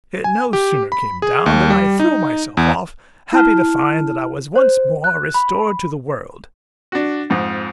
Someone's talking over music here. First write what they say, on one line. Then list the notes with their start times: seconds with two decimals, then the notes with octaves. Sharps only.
It no sooner came down than I threw myself off, happy to find that I was once more restored to the world.
0.24 G#5
0.53 G4
0.92 B5
1.22 G#4
1.46 D#2
1.70 G3
2.00 D#4
2.57 E2
3.33 E4 A5 F6
4.56 C5
5.04 F#6
5.34 B5
6.92 D4 F#4
7.30 F2 G#2